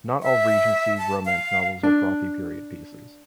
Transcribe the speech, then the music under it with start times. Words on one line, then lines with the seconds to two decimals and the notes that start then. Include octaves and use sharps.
Not all Regency romance novels are frothy period pieces.
0.23 E5
0.98 A5
1.25 F5
1.83 D4